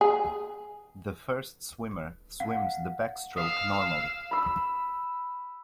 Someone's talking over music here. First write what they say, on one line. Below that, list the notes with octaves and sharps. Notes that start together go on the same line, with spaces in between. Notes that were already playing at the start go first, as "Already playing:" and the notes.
The first swimmer swims the backstroke normally.
G#4
F5 F#5
F5 D#6 E6
B5 E6